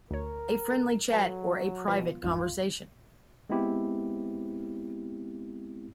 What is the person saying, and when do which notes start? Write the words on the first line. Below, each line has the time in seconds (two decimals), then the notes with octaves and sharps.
A friendly chat or a private conversation.
0.11 D2 A#4 C#5
0.70 A3
1.12 F#3 A4 B4 G#5
1.88 B2 F3 B3 F4
2.23 A1 F2 G#2 F4
3.50 G#3 B3 C4 E4 G4